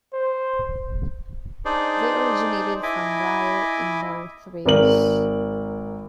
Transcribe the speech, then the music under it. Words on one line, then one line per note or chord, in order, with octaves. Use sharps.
They originated from Rhyl in North Wales.
C5
D4 D#4 G#4 C5 D5
E4 D#5 G#5 B5 D6
G#1 A#4 F#7